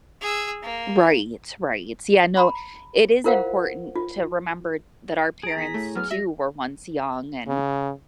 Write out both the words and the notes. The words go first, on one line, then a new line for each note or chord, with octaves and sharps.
Right, right. Yeah, no, it is important to remember that our parents, too, were once young, and,
G#4 E6
A#3
A#5 B5
E4 F4 A#4 C5 F5 F#5
F4
G#4 A#5 D7
E2 B6
A2 A3
F#3 B3 F6
F#3 E5 A#6
C#3